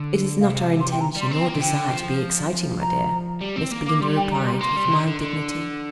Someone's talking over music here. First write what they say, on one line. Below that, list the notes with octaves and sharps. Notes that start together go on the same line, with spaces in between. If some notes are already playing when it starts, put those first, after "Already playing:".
"It is not our intention or desire to be exciting, my dear," Miss Belinda replied with mild dignity.
Already playing: D3
C3 F5
F5
C6
G5
A#5
G3 C6
C4
G5
A#3
C3
D3 G5
F3
A#5
G3
C4
A#3
A#3 D6
G3 C6
G5
A#5
C6
A#3 C6
G3
C3
D3
D3
D3